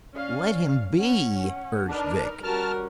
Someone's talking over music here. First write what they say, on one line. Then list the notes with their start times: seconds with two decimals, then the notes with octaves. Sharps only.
"Let him be!" urged Vic.
0.15 C#4 D5 F5
0.98 C#4 F#5
1.88 D4 D#4 A#4 B4
2.44 G3 C#4 F#4 A#4 A5 F6